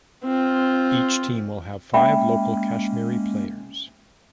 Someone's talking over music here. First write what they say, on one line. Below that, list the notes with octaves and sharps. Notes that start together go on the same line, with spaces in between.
Each team will have five local Kashmiri players.
C4 F4
G#3 A#3 C#4 E5 G5 B5